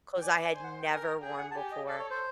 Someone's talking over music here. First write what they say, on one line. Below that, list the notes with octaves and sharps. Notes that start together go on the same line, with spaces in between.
Clothes I had never worn before.
G5
D5 G#5
C5 G#5
F#5
G5
A#4 G#5
G5
G#4 G5
F#5
A5
G4 G#5
D#5
A4 D5
C#5
C5